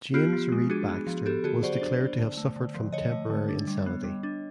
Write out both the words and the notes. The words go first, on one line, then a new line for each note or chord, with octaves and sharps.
James Reid Baxter was declared to have suffered from temporary insanity.
B3 F4 G4
F3
G#3
D4 F#4 G#4
B3
F3
B3 G4 A4
D3 F#4 G#4
F#3 C5 D5
D4
B3
D3
A3
D3
F3
D3 C#5 D#5
A3
D3
D4
G3
B3
G3
D4